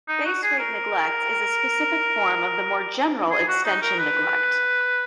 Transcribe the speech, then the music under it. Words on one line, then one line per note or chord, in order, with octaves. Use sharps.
Base rate neglect is a specific form of the more general extension neglect.
D#4
F#4
G#4
A#4
G#4
F#4
D#4
A#4
B4